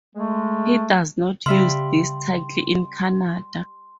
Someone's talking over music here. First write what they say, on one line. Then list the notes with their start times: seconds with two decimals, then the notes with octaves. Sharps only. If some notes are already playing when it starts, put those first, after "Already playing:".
He does not use this title in Canada.
0.16 G#3 A3
1.46 C#3 G3 E5 F5 C6